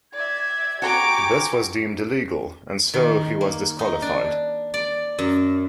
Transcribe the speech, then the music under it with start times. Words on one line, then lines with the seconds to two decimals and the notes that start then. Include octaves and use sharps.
This was deemed illegal and so he was disqualified.
0.13 D5 E5 G#6
0.82 F#4 G4 G#5 A#5 D6
2.94 D#3
3.41 A#3
3.79 D#4
4.02 D4
4.74 D5
5.19 F#2